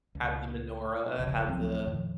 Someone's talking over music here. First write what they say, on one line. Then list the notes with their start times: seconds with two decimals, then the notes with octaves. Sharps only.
Have the menorah, have the
0.15 C#2
1.18 D#1 A#1 C#3
1.48 C#2 F3 F#3 C4
1.87 F2 A#2 D#3 F3